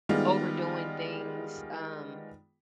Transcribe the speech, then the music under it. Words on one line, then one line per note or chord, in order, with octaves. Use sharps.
overdoing things, um,
D#3 G3 G#3 B3 F4